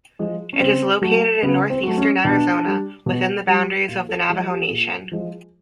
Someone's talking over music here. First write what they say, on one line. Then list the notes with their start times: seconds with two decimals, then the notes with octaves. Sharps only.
It is located in northeastern Arizona within the boundaries of the Navajo Nation.
0.19 F3 G#3
0.53 C#4
0.60 C#3 C4
1.01 F#3 A3
1.43 C#3 B3
1.70 C4
1.83 F#3 A3
1.97 C#4
2.24 B2 D4
2.66 G3
3.06 B2
3.48 G3
3.88 A#2 F4
4.09 A4
4.29 F3 G#3 G#4
4.50 G4
4.70 A#2 G#4
5.12 F3 G#3